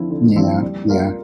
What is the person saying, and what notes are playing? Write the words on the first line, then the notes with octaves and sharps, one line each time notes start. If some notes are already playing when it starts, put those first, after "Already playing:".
Yeah, yeah.
Already playing: D3 F3 C4 E4
D3
F3 C4 E4
G3
A#3 F4 A#4 F5